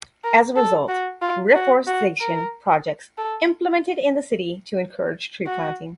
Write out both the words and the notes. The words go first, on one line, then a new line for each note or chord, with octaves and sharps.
As a result, reforestation projects implemented in the city to encourage tree planting.
A#4
A4
F#4
F4
F#4
F#4
A#4
A4
F#4